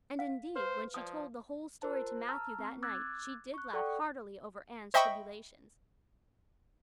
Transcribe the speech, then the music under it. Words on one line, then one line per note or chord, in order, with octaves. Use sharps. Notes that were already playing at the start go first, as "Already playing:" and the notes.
And indeed, when she told the whole story to Matthew that night, she did laugh heartily over Anne's tribulations.
F5
B4 C5
F3 D5 D#6
F4 A#4 C5 A5
A5 A#5 E6 F6
C4
D6 E6 F#6 G#6 A6
C#6 F#6
A4 D5 F#5 G5 C#6
C5 D#5 E5 G5 B5 C#6